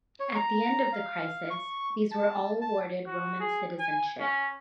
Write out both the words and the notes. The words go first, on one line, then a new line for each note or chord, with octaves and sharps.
At the end of the crisis, these were all awarded Roman citizenship.
C#5
A#5
F5
C#6
A5
A5
F#4
G#4
G#5
C#4